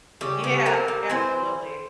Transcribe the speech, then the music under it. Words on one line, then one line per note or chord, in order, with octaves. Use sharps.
Yeah, absolutely.
C#3 G3 G4
C#3
A#3 C4 A#4
G3
E3 C4 C5